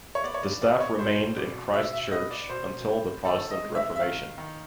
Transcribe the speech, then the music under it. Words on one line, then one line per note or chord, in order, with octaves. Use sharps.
The staff remained in Christ Church until the Protestant Reformation.
C#5
B3 D5
C#5
D5
B3 D5
C#5
B2 C5
B2 D5
B2 E5
E5
B3 D#5
D5
B2 C5
B3
D#3 A4
D#5
G#3
E5
E5
D#3 F5
D#3